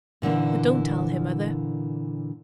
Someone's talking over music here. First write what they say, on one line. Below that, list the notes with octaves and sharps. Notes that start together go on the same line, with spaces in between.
But don't tell her, mother.
A#2 D3 E3 A#3